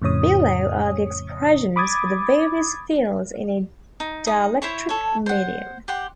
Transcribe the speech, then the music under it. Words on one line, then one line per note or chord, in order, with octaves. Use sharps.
Below are the expressions for the various fields in a dielectric medium.
F2 A2 C#3 C#5 D#6
B5 D6 D#6 G#6 A6
D#4
D#4 D#6
E4 C5 C#5 C#6
A4 C#5
C5 F#5
G4 F#5 C6